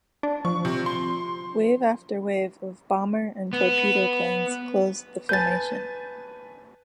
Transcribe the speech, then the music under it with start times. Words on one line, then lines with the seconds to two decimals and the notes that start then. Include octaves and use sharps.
Wave after wave of bomber and torpedo planes closed the formation.
0.23 D4
0.45 F3 C#6
0.65 C3
0.86 C6
3.53 B3
5.29 B4 G#5 A5 G6 A6